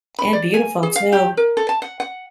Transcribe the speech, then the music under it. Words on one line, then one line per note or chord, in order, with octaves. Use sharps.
And beautiful too.
B5
D5
G#5
G#4
F5
G4
A#4
A4
A5
F#5
F#5